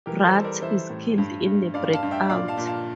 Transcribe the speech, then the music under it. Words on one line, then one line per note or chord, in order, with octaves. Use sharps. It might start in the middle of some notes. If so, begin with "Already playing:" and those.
Bratt is killed in the breakout.
E3 G4 A#4
A4 C5
G3
A#4 D5
E3 C5 E5
A2
G2
G2
G2 D5 F5
F5 A5
G2
E5 G5
A#2 D5 F5
F5 A5
A#2
F5 A5